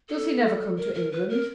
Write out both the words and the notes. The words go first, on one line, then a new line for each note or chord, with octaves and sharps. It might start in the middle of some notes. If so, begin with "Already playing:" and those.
Does he never come to England?'
A4
A#4
A#4
B4
A#4